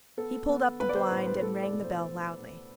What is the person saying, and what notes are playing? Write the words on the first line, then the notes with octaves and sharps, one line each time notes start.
He pulled up the blind and rang the bell loudly.
B3 A4
B3
B3 B4
D5
C5
A2 C5
B4
A3 A4
D5
B2
C5